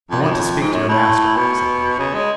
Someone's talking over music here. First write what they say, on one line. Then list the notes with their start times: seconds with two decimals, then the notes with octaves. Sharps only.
'I want to speak to your master,' said he.
0.11 F2
0.21 F#2
0.31 F2
0.61 G#2
0.73 F#2
0.89 A2
1.36 B2
1.99 C#3
2.14 G#3